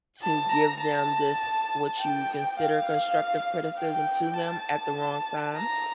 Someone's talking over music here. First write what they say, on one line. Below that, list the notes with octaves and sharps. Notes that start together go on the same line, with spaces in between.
to give them this what you consider constructive criticism to them, at the wrong time,
A5
A#5
A5
G5
F5
G5
A5
A#5